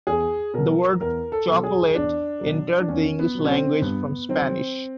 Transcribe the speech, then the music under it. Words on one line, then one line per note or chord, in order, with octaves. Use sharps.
The word "chocolate" entered the English language from Spanish.
E2 G#4
B2 F#3 A#4
E2 A#4
A4
B2 F#3
G#4
E2 D4
B2 F#3
D4
E2 C#4
B3
B2 F#3
C#4
C4
G2 B3
D#3 F#3 C4